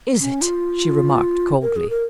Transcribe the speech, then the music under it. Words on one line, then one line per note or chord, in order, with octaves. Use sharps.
"Is it!" she remarked coldly.
C#4
F4
A#4
G#4
A#4